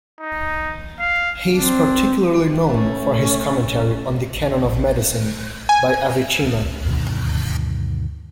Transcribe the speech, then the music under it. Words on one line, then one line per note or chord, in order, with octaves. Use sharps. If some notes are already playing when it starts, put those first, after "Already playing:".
He is particularly known for his commentary on "The Canon of Medicine" by Avicenna.
D#4
F5
C4 D4
A3 C#4
G#5
D2 G2 B2 D#3